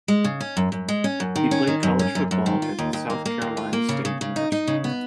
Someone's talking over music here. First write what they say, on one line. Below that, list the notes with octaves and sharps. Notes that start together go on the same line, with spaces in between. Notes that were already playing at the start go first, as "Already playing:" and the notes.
He played college football at South Carolina State University.
G#3
C#3
C#4
F#2
F#2
G#3
C#4
F#2
D#3
C#4
D#3
F#2
C#4
F#2
F#2
D#3
F4
D#2
D#2
A#3
A#3
D#2
F4
A#3
C#3
C#3
C#3
D#4
D#4
C#3
B3